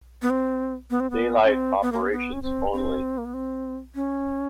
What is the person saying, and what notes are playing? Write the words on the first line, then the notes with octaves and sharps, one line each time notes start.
Daylight operations only.
B3
C4
B3
C4
B3
C#4
C4
B3
A#3
B3
B3
C#4
C4
C4
A#3
B3
C4
C#4